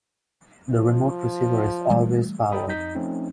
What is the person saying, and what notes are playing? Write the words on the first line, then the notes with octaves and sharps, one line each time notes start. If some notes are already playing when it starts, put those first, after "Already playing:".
The remote receiver is always powered.
F3
E3 G3 A3
A4 D#5 G5 A#5 B5 D#6
F2 D#4 D#5 A#5 G6 B6
F3 A3 C4 C#4 D#4